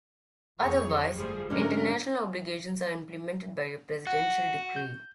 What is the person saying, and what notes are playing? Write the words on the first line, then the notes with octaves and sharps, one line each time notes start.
Otherwise, international obligations are implemented by a presidential decree.
F2 F3 G#4 C#5
G1 F3 G3 A3 G#4
G#2 D3 F#3 G#3 C#4 A#4
F#4 F#5
G6